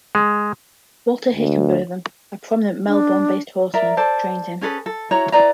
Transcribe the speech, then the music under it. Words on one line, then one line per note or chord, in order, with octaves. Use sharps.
Walter Hickenbotham, a prominent Melbourne-based horseman, trained him.
G#3
D2
D4
A#4 D5 E5 A#5
A4 C5 D5 A5
C#4 G#4 A4 B4
A4
E4 F#4 C#5 A#5
E4 B4 D5 A#5